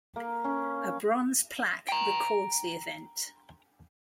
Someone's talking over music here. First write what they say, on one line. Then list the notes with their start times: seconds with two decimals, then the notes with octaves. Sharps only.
A bronze plaque records the event.
0.16 A#3
0.44 C#4
1.89 G5 A#5